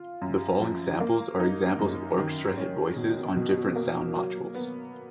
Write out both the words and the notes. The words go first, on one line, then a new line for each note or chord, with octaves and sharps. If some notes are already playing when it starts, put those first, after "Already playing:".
The following samples are examples of orchestra hit voices on different sound modules.
Already playing: F4
F#2
F3
A#3
D#4
F#2
D#3
C#4
B2
B2
A#3
F#3
B3